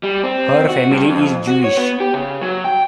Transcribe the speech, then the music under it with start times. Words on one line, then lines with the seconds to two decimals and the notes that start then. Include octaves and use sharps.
Her family is Jewish.
0.03 G3
0.24 C4
0.69 F#4
0.91 G2
1.08 F2
1.47 F#4
1.64 C#5
1.77 B3
2.00 G4
2.14 C#3
2.41 F#3
2.64 G5